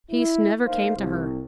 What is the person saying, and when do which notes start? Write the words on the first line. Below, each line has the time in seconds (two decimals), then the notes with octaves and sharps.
Peace never came to her.
0.11 E4
0.65 A#3 D#4 C5 F5
0.96 C2